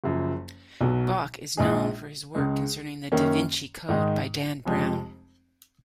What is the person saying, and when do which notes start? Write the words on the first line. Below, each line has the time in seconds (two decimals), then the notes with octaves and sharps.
Bock is known for his work concerning "The Da Vinci Code" by Dan Brown.
0.04 F#1 F#2 F3
0.81 B1 B2 F#3
1.57 A#1 A#2 G#3 D#4 G#4
2.35 C#2 C#3 G#3
3.12 F#2 D#3 A#3 C#4
3.89 G#2 D#3 G#3 D#4
4.65 F1 F2 F3 G#3